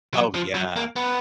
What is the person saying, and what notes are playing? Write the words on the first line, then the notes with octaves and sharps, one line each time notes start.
Oh, yeah.
F#3
F3
F#3
A#3
B3